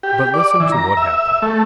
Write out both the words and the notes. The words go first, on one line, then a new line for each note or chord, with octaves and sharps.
But listen to what happened.
G4
D5
E3
A#5
E5
A3